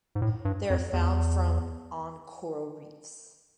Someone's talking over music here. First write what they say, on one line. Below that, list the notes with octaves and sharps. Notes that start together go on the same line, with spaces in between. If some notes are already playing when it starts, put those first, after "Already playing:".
They are found from on coral reefs.
G#2
A2
G2
F2
E2